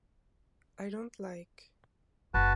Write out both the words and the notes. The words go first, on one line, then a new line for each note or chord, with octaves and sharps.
I don't like...
F#1 F#4 B4 A5